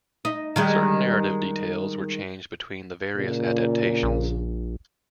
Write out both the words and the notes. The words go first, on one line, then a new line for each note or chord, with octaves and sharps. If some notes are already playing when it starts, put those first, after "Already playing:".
Certain narrative details were changed between the various adaptations.
D#4
D#3 G3 G#3
A#2 C#3
A#1